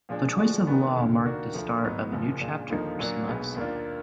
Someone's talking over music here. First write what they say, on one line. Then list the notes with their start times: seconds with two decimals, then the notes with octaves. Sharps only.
The choice of Law marked the start of a new chapter for Smuts.
0.09 A#2 F3 G#3 D4
0.38 D3 F3 G#3 D4 F#4
0.67 D#3 G#3 B3 D4 F#4
0.96 F1 D#2 D3
1.25 D#3 A#3 D4 F#4
1.54 D2 D3 F3
1.83 G#1 G#2 F#3 B3 D#4
2.12 F#1 F#2 F3
2.41 A#2 G#3 D4
2.70 D#2 D3 F3 A#3 D#4
2.99 A#2 F#3 A#3 D4
3.27 B1 B2 G#3 B3
3.56 D#2 D#3 A#3 D4 F4